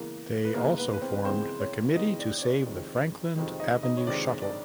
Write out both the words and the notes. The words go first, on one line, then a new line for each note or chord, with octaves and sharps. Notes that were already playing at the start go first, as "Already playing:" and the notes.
They also formed the Committee to Save the Franklin Avenue Shuttle.
Already playing: C#3 E3 G#3 A#3 B3 A#4
B4
C#3 E3 G#3 A#3 B3 A#4
B3 B4
B4
C4 C5
B4
C#3 E3 G#3 B3 C4 C5
C#4 C#5
C#3 E3 G#3 B3 D#4 D#5
D4 D5
D5
C#4 C#5
F2 C3 D#3 G#3
F2 C3 D#3 G#3
D#4 D#5
D#4 D#5
C#5
F2 C3 D#3 G#3 D4 D5
D4 D5